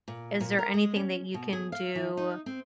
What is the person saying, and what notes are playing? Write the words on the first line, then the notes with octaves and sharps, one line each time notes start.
is there anything that you can do,
A#2
A#2
A#4
G#3
C#4
B2
G#4
F5
E3
D#4
C4